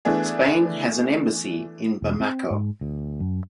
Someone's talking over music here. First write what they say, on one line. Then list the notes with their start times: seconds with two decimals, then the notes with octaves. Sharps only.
Spain has an embassy in Bamako.
0.05 E3 A3 B3 D4 G#4
2.02 E1
2.20 C4
2.50 G#2
2.81 D2
3.20 F#2